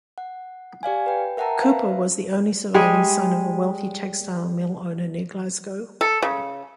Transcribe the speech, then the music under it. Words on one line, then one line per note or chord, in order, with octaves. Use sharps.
Couper was the only surviving son of a wealthy textile mill owner near Glasgow.
F#5
G4 D5 F5 G#5
B4 G5
A#4 E5 F#5 G5 A5 A#5
B4 C5 E5 F5
G3 G#3 G#4
A4
C#3